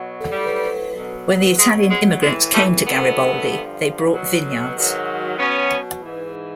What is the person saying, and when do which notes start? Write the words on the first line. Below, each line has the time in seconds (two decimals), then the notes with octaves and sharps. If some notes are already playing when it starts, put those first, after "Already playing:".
When the Italian immigrants came to Garibaldi they brought vineyards.
Already playing: B2 F#3
0.31 A2 F#3 G3
0.94 B2 F#3
1.58 B2 F#3 G#3
1.89 G#3
2.21 A2 E3 G#3
2.52 G3 A3
2.84 F#2 D#3 F#3 A3 B3
3.48 G2 D3 F3
4.11 B2 F#3
4.75 G#2 D#3 F#3
5.38 B2 F#3 B3 C#4
6.01 G#2 E3